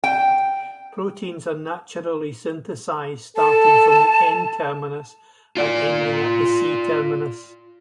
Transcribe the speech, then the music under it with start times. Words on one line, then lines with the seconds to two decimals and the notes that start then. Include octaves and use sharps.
Proteins are naturally synthesized starting from the N-terminus and ending at the C-terminus.
0.04 G5
3.36 A4 A5
5.57 F4 D5